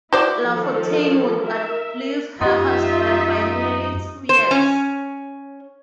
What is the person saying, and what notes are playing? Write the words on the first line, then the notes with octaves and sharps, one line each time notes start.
Lafontaine would outlive her husband by nearly two years.
E4 F#4 C5 D5
D#3 F3 A4
A#4 E5
F#2 D#4 F4 G4 D#5 E5 C6
C5
C#4